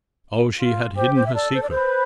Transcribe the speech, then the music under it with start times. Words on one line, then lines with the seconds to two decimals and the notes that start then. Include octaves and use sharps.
Oh, she had hidden her secret.
0.59 F4
0.96 G4 C5
1.15 C5
1.26 E5
1.35 A4 D5
1.54 C5
1.62 D5
1.70 B4 C5